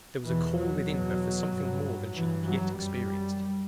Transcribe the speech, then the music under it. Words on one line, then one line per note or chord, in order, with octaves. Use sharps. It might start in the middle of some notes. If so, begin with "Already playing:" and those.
There was a call within her for something more than she had yet experienced.
E2 B2 E3
F#3
E2 B2
G2
G2 E3
F#3
F#2 G3